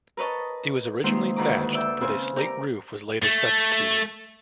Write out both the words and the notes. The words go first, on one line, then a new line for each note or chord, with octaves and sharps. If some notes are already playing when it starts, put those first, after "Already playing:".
It was originally thatched, but a slate roof was later substituted.
A#4 B4 C#5 D#5 A5
D#3 G#3 A#3 C4 D#4 F4
D2 D#3 B4 A#5 D6
D5 E5 G5
C#3 C4 G#5
G4 A#4 D5
A3